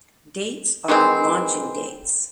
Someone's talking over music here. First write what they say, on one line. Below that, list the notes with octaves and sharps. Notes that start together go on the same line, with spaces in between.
Dates are launching dates.
D#3 E3 G#3 C4